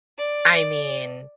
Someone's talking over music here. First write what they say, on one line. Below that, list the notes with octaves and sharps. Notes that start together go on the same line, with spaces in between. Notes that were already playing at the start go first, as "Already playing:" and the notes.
I mean,
D5
D5